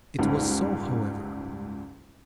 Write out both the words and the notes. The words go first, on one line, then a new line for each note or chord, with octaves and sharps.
It was so, however.
F#1 C#2 G#2 G3